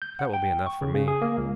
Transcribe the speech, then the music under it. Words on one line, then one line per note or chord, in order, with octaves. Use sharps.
That will be enough for me.'
G6
F#5
G5
C#6
C#3
C#3
G#4
A#3
C#2